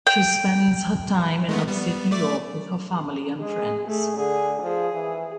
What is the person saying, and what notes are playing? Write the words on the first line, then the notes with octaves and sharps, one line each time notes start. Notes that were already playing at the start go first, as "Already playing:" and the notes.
She spends her time in upstate New York with her family and friends.
G5
G#3 A3 B3
G3 B3
A3 D5 D6
G#3 G#4
A3 G#4
D3 G#4
F3 G#4
E3